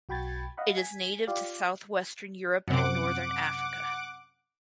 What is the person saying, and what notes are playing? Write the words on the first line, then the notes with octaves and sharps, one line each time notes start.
It is native to southwestern Europe and northern Africa.
B1 F#4 G5 B5 G#6 A6
D#5 F5 F#5 B5
G#5 B6
F4 G4 D5 F5
F#2 C3 F#5 D6